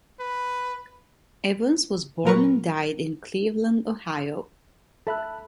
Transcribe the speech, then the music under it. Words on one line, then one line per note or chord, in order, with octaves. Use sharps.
Evans was born and died in Cleveland, Ohio.
B4
A#2 F#3 A#4 B4 C#6
A4 E5 A5 B5 F#6